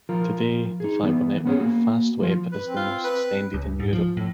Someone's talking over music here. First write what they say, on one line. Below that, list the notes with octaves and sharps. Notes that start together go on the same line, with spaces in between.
Today the Fiber Network of Fastweb is the most extended in Europe.
F3 F4 A#4
D#4 G#4
E3 B3
B3 C#4 G#4
A#3 F#4
F3 F4
B4
C4
F4
B4
C#2
G#2
F3
A2